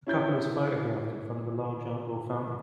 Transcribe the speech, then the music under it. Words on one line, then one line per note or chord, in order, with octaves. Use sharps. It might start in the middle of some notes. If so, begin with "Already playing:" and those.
A couple is photographed in front of a large outdoor fountain.
C#4 E4 G6